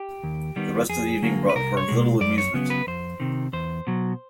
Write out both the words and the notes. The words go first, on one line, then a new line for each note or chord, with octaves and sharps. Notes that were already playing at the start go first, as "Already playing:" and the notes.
The rest of the evening brought her little amusement.
Already playing: G4
D#2
D#3 G3 B3
F2 G#4
D3 F#3 A#3
B4
C2 A#4
C#5
B2 G#3
F#2 D5
C#5
C#3 F#3 B3
B4
F2 C5
C3 D#3
E2 C5
B2 F#3